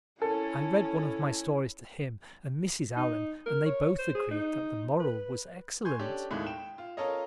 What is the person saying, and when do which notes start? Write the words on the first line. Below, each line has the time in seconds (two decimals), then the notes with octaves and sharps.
I read one of my stories to him and Mrs. Allan and they both agreed that the moral was excellent.
0.22 C#4 E4 A4
2.96 D#4
3.46 A#4
3.66 C#5
3.99 C5
4.15 G#4
4.31 D#4
5.00 B4
5.85 G#5 C6 C#6 G6 G#6
5.99 C#4 D4 G4 A4
6.31 D#2 A2 D#3 G#3 A3
6.46 G5 E7
6.78 F4
6.97 C#4 F4 A4 A#4 C#5 D#5